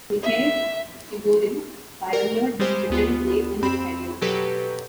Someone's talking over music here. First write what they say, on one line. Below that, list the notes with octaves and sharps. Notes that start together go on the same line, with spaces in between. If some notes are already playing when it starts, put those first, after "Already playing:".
Mikhail Chigorin pioneered this defense late in his career.
E5
A#4
G3 G#3 G4 C5
D2 B3 F4
F2 C4 B5 E7
B2 F#3 G4 A4 B4